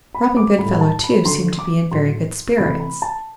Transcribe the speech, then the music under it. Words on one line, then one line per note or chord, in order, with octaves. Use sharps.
Robin Goodfellow, too, seemed to be in very good spirits.
B5
D6
A2 G3 B5
A5
B5
D3 F#3 A3 C6
D6
A2 F#3 A3 C6
C3 E3 A3 B5
B5
A5